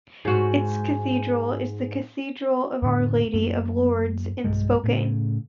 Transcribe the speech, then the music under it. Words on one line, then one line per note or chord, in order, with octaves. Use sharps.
Its cathedral is the Cathedral of Our Lady of Lourdes in Spokane.
G#2 F#4
F2 A2 D3
F#2 A#3
B1 G2 G3 G#3
A2 C#3